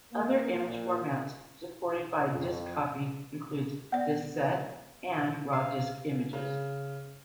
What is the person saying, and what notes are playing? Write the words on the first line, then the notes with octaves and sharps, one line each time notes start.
Other image formats supported by Disk Copy include DiskSet and raw disk images.
A#3
A#2
F2
B3 D5 F#5
F5
C#3